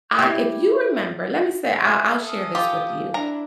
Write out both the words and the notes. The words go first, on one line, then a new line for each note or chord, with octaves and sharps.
I if you remember let me say I I'll share this with you,
E4 G4
E5 G#5 F6
A4 D#6
F4 G4
D4 E4 A#4 A#5